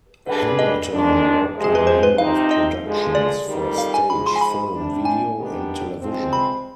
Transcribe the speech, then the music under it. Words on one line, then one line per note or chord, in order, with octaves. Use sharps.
Hamilton worked in a number of productions for stage, film, video, and television.
D3 G3 D4 G#4 B4
D#5
F2 D#3 G#3 D4
C3 F3 G#3
G#4
B4
C5
B4
C3 F3 C4 D#4 F5
D#5
G2 D3 F3 G#3
D5
F2 D#3 G3
F5
G#5
G#2 F3 G#3 B5
C6
G#5
B5
C3 G3 D4
G#5
D#3 G3 B3 D4 G4
G2 F3 G#3 C4
B5